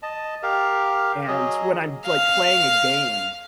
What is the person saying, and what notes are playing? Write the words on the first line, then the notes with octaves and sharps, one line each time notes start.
and when I'm, like, playing a game,
D#5 A5
G4 A#4 F5
F#3 G#4 D#5
F5 F6